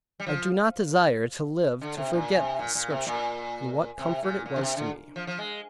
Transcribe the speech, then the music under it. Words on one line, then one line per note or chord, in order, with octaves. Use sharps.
I do not desire to live to forget this Scripture, and what comfort it was to me.
G3
F3
D3
C3
A#2
C3
A#2
A#2
C3
A#2
C3
A#2
A#2
D3
C3
D3
F3
F3
G#3